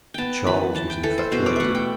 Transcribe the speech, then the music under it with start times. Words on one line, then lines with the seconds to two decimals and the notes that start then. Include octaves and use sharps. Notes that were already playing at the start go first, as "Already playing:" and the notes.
But Charles was infatuated.
0.14 B3 G5 A5
0.47 E3 B5
0.75 E3 A5
0.90 G5
1.03 E3 A4
1.18 C5
1.32 B2 C5
1.46 D5
1.56 A3 E5 F#5
1.75 G5